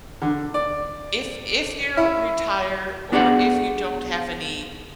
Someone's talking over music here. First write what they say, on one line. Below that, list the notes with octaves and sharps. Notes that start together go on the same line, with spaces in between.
If if you're retired or if you don't have any
D3
D5
E4
B3 D4 F#4 G#4 D5 F#5